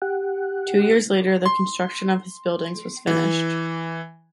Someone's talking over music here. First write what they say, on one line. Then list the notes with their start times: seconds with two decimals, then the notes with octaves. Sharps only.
Two years later, the construction of his buildings was finished.
0.02 G4 F#5
1.46 C6
3.07 E3